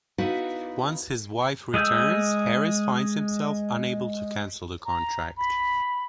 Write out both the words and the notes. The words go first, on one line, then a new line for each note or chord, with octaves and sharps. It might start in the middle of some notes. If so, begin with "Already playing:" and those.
Once his wife returns, Harris finds himself unable to cancel the contract.
B3 D#4 E4 F#4 B4 F5
G#3 G#4 E6 G6
A#5
B5